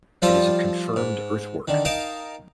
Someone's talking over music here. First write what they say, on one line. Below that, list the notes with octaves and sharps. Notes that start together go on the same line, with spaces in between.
It is a confirmed earthwork.
F3 G3 F4 A4 C5
G#2
D3 D#3
D#4 A#4 F5 G5 A5